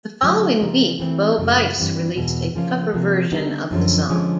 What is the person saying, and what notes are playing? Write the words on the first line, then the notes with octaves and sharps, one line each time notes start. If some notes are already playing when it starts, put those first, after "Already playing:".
The following week, Bo Bice released a cover version of the song.
D3 F#3 A3
C#3 F3 A#3 D#4
E3 A3 C4
F#2 C#3 F#3 A3
G2 E3 G3 C4
E2 B2 G#3
C#3 F3 A#3 C#4 F4
C3 F3 A#3
D3 G3 B3 D#4
F#2 D3 F3 G#3 C#4
D3 F3 G#3 C#4